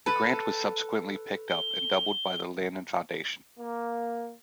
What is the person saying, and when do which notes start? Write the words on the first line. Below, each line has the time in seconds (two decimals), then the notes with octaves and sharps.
The grant was subsequently picked up and doubled by the Lannan Foundation.
0.06 A4 B4
1.49 G7
3.60 A#3